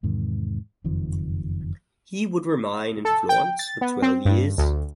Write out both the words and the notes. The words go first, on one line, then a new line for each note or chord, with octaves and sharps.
He would remain in Florence for twelve years.
E2 G#2 C3 D#3
F#1 F2 D#3 F3
A4
G5
A6
B3
C4
G2
D2